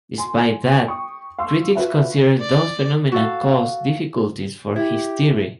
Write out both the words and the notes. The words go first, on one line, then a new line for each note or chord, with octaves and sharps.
Despite that, critics consider those phenomena caused difficulties for his theory.
G#5 C6
G5 C#6 D#6
F5 C6 C#6 E6
F4 F#4 B4 E5
D5
F#4 A4 F5
E4 G4